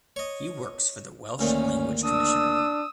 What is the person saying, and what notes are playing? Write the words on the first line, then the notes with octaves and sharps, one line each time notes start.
He works for the Welsh Language Commissioner.
C#5 D#5
D2 A#2 D#3 C#4
D4 D#6 E6